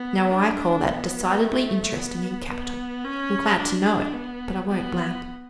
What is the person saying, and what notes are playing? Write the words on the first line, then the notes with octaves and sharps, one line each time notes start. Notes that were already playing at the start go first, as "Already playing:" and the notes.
Now, I call that decidedly interesting and capital. I'm glad to know it; but I won't blab.'
Already playing: B3
D4
B3
A3
B3
B3
C#4
D4
B3
B3